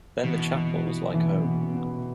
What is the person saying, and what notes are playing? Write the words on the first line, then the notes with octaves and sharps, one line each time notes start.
Then the chapel was like home.
B2 E3
E3
E4
E3
B3
B3